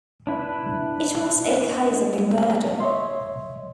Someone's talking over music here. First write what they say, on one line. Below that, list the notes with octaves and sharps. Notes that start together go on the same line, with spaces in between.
It was a case of a murder.
D4 E4 B4
C#5 D#5 E5 C6